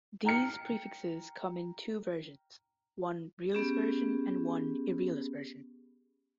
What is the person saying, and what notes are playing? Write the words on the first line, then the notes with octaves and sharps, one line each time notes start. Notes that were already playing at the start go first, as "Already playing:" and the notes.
These prefixes come in two versions, one "realis" version and one "irrealis" version.
G5 A#5 F6 C#7
B3 C#4 G4 G#4